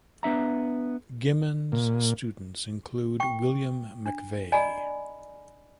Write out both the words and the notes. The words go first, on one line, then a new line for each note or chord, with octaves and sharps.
Gimond's students include William McVey.
B3 D4 E5 A#5
A#2
G5 C#6
D4
D5 D#5 G#5 A#5 B5